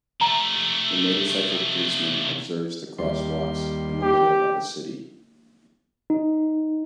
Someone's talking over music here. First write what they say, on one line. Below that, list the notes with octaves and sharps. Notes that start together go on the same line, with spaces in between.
A motorcycle policeman observes the crosswalks in the middle of a city.
C3 A3 A#5
D#2 G3 C6
G4
D#4